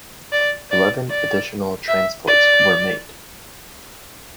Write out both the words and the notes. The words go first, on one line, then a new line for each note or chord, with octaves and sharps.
Eleven additional transports were made.
D5
D5
D5
E5
D5